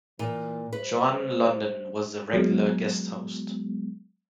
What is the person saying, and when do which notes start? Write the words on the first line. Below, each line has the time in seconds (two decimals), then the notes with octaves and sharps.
Joan Lunden was a regular guest host.
0.19 A#2 E3
0.73 G3 A3 B4 C5
2.33 F#3 G#3 B3